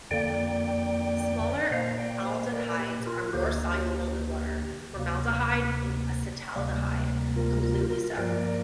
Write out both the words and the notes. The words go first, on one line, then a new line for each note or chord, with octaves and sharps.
Smaller aldehydes are more soluble in water, formaldehyde and acetaldehyde completely so.
F2 D3 A#3 D5 G5
A#2 A#3 C5 F5
D5 G5
C5 F5
A#4 D5
G4
F4 A#4
D2 D3 A#3 G4 C5
G4
F4
G4
D2 C3 A#3
D2 C3 G3 A#3
F4 A#4
F4 A#4
G4
F4 A#4
F5
G2 F3 A#3 A#4 D5